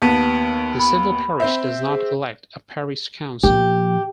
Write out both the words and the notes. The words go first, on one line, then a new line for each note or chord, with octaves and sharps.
The civil parish does not elect a parish council.
D#2 B3 A5 B6 D#7
B5
C4 C5 E5
G#4
A#2 F3 G4